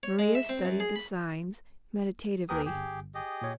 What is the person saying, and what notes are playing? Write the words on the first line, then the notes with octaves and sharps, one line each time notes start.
Maria studied the signs meditatively.
C#5
G#3
E5
C4
F#2
G#4
B5
D#2 G4 G#4 A#4 B4 D#6
G1 G4 G#4
G4 G#4 D#5
A#2 C#5